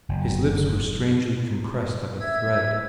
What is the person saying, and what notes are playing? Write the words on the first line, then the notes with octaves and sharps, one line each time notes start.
His lips were strangely compressed like a thread.
F#1
E5 E6 G#6